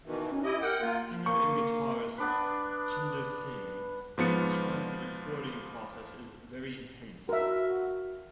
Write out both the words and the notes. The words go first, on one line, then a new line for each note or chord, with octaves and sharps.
Singer and guitarist Tjinder Singh described the recording process as very intense.
B2 D#3 E3
C#4
E4 G4 D#5
A#4 F#5 G5
A#3 F4
A#3 C#6
B3 D4 B4
G#2 F3 B3 C#7
F#4 A#4 E5